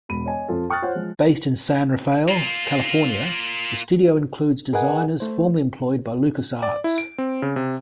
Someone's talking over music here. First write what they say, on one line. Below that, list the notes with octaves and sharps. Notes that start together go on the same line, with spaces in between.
Based in San Rafael, California, the studio includes designers formerly employed by LucasArts.
E1 B5 D#7
C#5 D#5 G#5
F2 F4 A4
G5 C#6 D#6 F6 F#6 A6
F4 C5 C#5 F#5
F3 G#3
A#3 F4
G#4 A#4 B4 D#5 F#5 G#5
A3 C5
D5
E4
D7
C4
C#3
C3